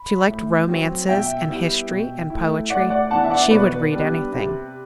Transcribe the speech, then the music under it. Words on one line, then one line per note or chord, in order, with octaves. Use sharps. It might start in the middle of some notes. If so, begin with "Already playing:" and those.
She liked romances and history and poetry; she would read anything.
Already playing: B5
A2
F#3 C4
B2 E5 G5
G3 B3 E4
B2
A3 E4
A2 D5 F#5
D5 F#5
E3 B3 D4 F#5 A5
E5
D5 F#5
B2 B4 D5
G3 B3 D4
C3